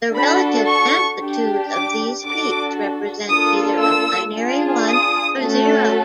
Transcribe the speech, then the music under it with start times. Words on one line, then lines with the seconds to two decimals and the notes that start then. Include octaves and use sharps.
The relative amplitudes of these peaks represent either a binary one or zero.
0.14 D4 F#4 A4 B5
0.67 C#6
1.20 D4 G4
1.72 D6
2.24 D4 F#4 A4 D6
3.30 A#3 D4 F4 A4 D#6
3.83 E6
4.35 D4 F4 G#4
4.88 D#6
5.39 A3 C#4 F#4 A4